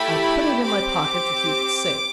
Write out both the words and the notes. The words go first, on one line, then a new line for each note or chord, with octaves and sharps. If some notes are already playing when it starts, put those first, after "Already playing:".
I put it in my pocket to keep it safe.
Already playing: A3 E4 G4 B5
C4 G4 D6